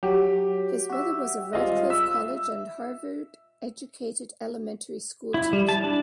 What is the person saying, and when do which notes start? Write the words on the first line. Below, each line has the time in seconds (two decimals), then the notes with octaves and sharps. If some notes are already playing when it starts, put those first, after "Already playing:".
His mother was a Radcliffe College- and Harvard-educated elementary school teacher.
0.03 F#3 F#4 G4
0.90 F#4 E5
1.53 G3 G#3 C4 F4 D#5
1.90 E5 E6
5.34 E4
5.53 G3
5.69 A5
5.84 D4